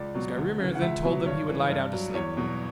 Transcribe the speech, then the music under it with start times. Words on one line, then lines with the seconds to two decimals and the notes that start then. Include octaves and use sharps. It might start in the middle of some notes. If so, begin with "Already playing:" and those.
Skrymir then told them he would lie down to sleep.
Already playing: C#2 D5
0.15 B2 F#3
0.37 D2
0.60 C#3 E3
0.75 F#5
0.81 C#2 E5
1.04 B2 F#3
1.25 G2 C#5
1.49 E3
1.70 G2
1.93 F#3
2.14 E2 C#5
2.37 B2 F#3